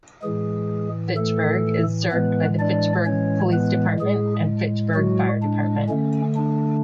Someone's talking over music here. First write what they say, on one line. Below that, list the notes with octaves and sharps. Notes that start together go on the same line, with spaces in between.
Fitchburg is served by the Fitchburg Police Department and Fitchburg Fire Department.
A2 E3 G#3 G#4
A3 A4
A2 E3 G#3 B3 B4
D4 D5
C#4 C#5
B3 B4
A2 G#3 G#4
F#3 F#4
D4
D3 A3 C#4
D4